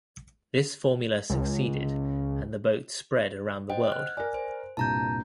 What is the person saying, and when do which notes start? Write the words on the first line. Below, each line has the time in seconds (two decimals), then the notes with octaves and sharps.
This formula succeeded, and the boat spread around the world.
1.30 C#2
3.69 C5 D#5 F#5 G5
3.88 F6 F#6
4.17 A#4 D5 G#5
4.34 C5
4.77 C2 G2 A#2 A5 A#5 G6